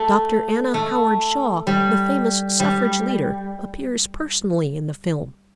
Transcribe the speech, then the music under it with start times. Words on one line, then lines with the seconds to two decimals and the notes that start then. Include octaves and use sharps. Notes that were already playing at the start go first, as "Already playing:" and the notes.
Dr. Anna Howard Shaw, the famous suffrage leader, appears personally in the film.
Already playing: A3
0.74 A3
1.67 G3
2.60 G3